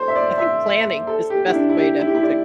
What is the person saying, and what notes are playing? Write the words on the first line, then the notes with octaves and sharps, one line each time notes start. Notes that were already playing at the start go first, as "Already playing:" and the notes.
I think planning is the best way to to,
Already playing: A4 C5
E5
D5
E5
A4
G4
E4
D4
E4
G4
E4
G4
E4
D5